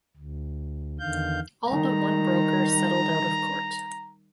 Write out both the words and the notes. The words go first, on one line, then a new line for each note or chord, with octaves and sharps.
All but one broker settled out of court.
D2
E2 D3 D#3 F5 G6
D#3 G3 A#5